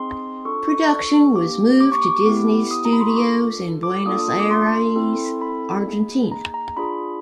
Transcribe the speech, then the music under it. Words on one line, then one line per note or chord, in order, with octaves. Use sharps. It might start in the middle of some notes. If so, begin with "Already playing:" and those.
Production was moved to Disney's studios in Buenos Aires, Argentina.
Already playing: C4 D#4 G#4 C6
D4 F4 A4 C#6
C#6
A#3 D4 G4 D6
D6
C#6
D6
B3 E4 G4
D#6
A#5
B5
C6
C#6
D4 F4 A4 D6
D6
A#3 D4 F4 A4 D#6
D#6
D#6
D6
C6
C4 E4 A4
B5
A#3 D#4 G#4
A#5
A#5
D4 F4 G#4 B5